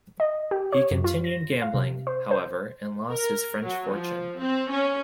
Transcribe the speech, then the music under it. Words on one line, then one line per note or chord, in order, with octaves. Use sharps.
He continued gambling, however, and lost his French fortune.
D#5
G4
C#5
F#2
F4
A#6
F5
C3
C5
C5
A#4
F#3
F3
C4
C#4